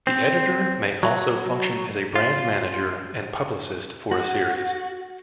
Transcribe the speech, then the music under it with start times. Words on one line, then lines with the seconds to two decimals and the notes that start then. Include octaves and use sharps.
The editor may also function as a brand manager and publicist for a series.
0.07 C4
1.03 F#3
2.16 F4
4.11 F#4